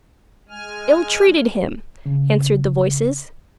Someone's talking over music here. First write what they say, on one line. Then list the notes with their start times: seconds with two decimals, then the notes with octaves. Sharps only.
'Ill-treated him!' answered the voices.
0.49 G#3 G#5 F6
2.06 C#3